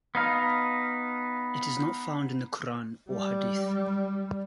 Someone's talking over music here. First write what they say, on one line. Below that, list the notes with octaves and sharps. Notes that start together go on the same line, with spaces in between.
It is not found in the Quran or Hadith.
B3 D#4 F5
G3